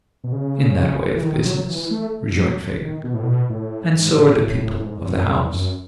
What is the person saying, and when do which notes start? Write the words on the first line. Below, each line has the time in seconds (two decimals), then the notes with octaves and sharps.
'In that way of business,' rejoined Fagin; 'and so are the people of the house.
0.24 B2
0.32 C#3
1.15 E3
1.23 D#3
1.45 F#3
1.68 E3
1.91 A3
2.36 F#3
2.81 D#3
3.04 B2
3.14 A2
3.23 B2
3.50 A2
3.94 G#2
4.17 A2
4.40 A2
4.63 A2
4.85 G#2
4.98 E2
5.08 F#2
5.31 E2
5.53 F#2